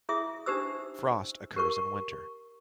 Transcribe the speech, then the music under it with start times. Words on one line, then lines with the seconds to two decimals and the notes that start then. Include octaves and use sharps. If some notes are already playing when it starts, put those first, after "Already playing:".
Frost occurs in winter.
0.09 E4 G#4 E5 D#6
0.46 D4 D#4 G4 C5 D#6 E6
1.56 G4 A#4 C#6